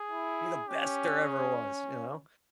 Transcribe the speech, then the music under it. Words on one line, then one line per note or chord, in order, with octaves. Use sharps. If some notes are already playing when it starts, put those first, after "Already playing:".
Be the best there ever was, you know?
Already playing: G#4
E4
C#4 G4
G#4